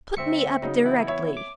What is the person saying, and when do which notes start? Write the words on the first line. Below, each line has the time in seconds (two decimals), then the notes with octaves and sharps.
"Put me up directly."
0.17 D2 C4 E5 C#7
0.62 C#3 F#3 D#4
0.84 E3 B3 E4
1.07 C#5 E5
1.37 D6